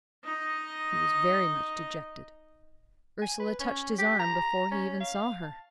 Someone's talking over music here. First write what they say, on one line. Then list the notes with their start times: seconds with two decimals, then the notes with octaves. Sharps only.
He was very much dejected--Ursula touched his arm before he even saw her.
0.24 D#4 D#5
3.22 G#5
3.40 B4
3.60 C#4
3.98 G4
4.20 A#5
4.72 C#4
5.01 F5
5.43 A5